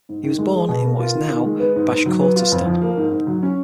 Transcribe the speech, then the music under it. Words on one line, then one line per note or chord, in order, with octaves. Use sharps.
He was born in what is now Bashkortostan.
G#2
D#3
G#3
G#4
B2
A#3
F4
D#3
D#3
G#3
B3
G#2
G#2
F#3
B3
F4
F2
F3
A#3
G#2
G#2
F#3
C#4